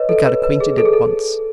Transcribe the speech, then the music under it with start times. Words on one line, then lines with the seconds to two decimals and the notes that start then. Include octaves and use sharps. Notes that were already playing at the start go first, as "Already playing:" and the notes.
We got acquainted at once.
Already playing: B4 C#5 D#5
0.09 A4
0.26 B4
0.43 B4
0.60 G#4
0.78 A4
0.86 G#4
0.93 A4